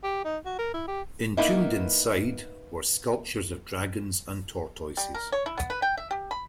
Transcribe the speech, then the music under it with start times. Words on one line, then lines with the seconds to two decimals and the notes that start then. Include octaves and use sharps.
Entombed inside were sculptures of dragons and tortoises.
0.03 G4
0.24 D#4
0.45 F#4
0.59 A#4
0.74 E4
0.88 G4
1.37 A#3 B3 D#4 E4
4.97 G3
5.14 A#4
5.32 C#5
5.46 E4
5.58 B3
5.70 B4
5.82 G5
5.97 E5
6.11 G4
6.31 B5